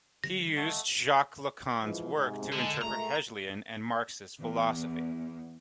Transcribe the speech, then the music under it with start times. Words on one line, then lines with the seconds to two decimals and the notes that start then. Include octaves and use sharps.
He used Jacques Lacan's work to interpret Hegelian and Marxist philosophy.
0.24 D3 G3 A#6
0.56 A3 D#5 F#5 A5
1.82 E3 F3 G#3
2.16 G#2 C3 G#3
2.53 D3 G#3
2.82 A#2 G#3 A3 A#5
4.41 E2